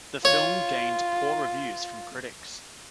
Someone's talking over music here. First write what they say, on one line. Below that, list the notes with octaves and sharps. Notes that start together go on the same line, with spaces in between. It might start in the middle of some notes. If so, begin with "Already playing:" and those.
The film gained poor reviews from critics.
F4 C#5